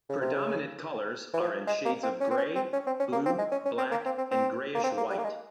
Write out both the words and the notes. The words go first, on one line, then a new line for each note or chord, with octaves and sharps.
Predominant colors are in shades of grey, blue, black, and greyish white.
C#3
C3
C#3
E3
F3
G#3
A#3
C4
C#4
C4
C#4
C4
C#4
C4
C#4
A#3
C4
G#3
C#4
C#4
C4
A#3
C4
C4
C4
A#3
C4
A#3
G3
A#3
G#3